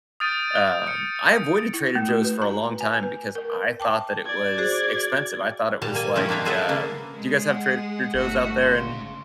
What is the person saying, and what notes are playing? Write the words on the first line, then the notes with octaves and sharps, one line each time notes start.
um, I avoided Trader Joe's for a long time because I thought that it was expensive. I thought it was like, um do you guys have Trader Joe's out there in
D#6 F6 G6 A6 D7 D#7
C#7
E4
A3
F#4
B4
A#5
G#5
B4
A#4
G5 A5 D6
D5 G#6
F#4 G#4 C5
A#2 G3 A5
A#3 G#5
F3 C4 C#4 D#4 E4
A#3 D4 E5 F5 G5
F4 G#4 A4 B4 E5 F#5
C#3 A#3
G#3 G#4
F#5
G1 A3 F#4
G#2 C#3 C6